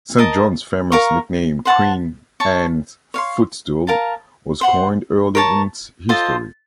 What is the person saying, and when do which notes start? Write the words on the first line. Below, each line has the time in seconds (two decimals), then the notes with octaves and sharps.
Saint John's famous nickname 'Queen Anne's Footstool' was coined early in its history.
0.18 A#4 D#5 A5
0.92 A#4 F5 A#5 C#6
1.65 C5 F#5 A5
2.40 C#5 A5 C#6
3.14 C#5 F5 C6
3.87 A#4 F5 A5
4.61 C5 F#5 C6
5.35 A#4 C#5 A5
6.09 F4 A4 C5 D#5